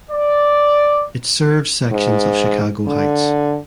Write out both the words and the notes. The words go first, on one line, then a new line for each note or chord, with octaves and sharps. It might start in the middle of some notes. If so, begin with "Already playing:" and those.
It serves sections of Chicago Heights.
D5
G#2
D3